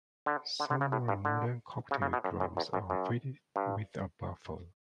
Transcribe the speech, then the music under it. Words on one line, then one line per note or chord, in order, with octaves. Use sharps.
Some more modern cocktail drums are fitted with a baffle.
D3
D3
D3
C#3
A2
G2
D3
C#3
C#3
B2
F#2
F#2
E2
F#2
F#2
G2